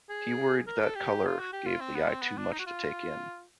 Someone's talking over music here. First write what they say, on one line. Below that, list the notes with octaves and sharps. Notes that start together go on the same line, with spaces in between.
He worried that color gave the eye too much to take in.
G#4
A#4
A4
G4
F4
F#4
G4
F4
C4
B3
C4
B3
D4
D#4
F#4
F4